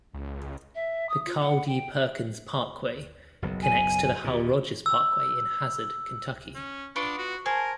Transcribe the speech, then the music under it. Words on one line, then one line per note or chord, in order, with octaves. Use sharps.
The Carl D. Perkins Parkway connects to the Hal Rogers Parkway in Hazard, Kentucky.
C#2
E5
D#6
F4
F#5
G5
F#1 B1
G#5
D#2 A#2 G4
E6
C#4
B3 D4 F4 C#6 C#7 D7
F#4
G#4 A#4 C5 A5 G#6